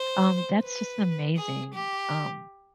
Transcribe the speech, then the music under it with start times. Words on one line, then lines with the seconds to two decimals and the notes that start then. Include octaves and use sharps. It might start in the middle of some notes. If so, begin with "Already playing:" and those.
um, that's just an amazing, um,
Already playing: C5
0.64 B4
1.37 G#4
1.74 G4